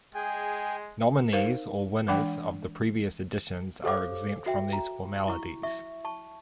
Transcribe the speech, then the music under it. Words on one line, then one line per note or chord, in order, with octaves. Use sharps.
Nominees or winners of the previous editions are exempt from these formalities.
G#3 G#4 G5 G#5
D#4 A#4 C5 F5
E3 G#3 D4 F#5 G5
G4 A4 C5 C#5 F5 D6
F#4 E5 G5
A#5
E4 C#6
E5 C#6
A5 C#6